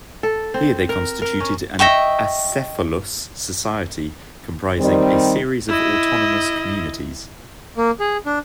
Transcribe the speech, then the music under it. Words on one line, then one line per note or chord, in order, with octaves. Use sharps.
Here they constituted an acephalous society comprising a series of autonomous communities.
A4
C4
A#4
A#4
C#4
D#5 E5 G5 C#6
D#3 G3 C4
E4 D#5
A#3
G#4
D4